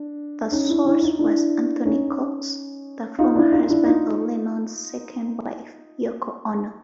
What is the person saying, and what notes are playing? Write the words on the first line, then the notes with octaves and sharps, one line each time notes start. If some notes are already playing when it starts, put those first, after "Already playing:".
The source was Anthony Cox, the former husband of Lennon's second wife, Yoko Ono.
Already playing: D4
C#4 D#4
D4 E4
D4 E4
D#4 F4
D4 E4
C#4 D#4
D#4 F4
D4 E4
D#4 F4
D4 E4
D#4 F4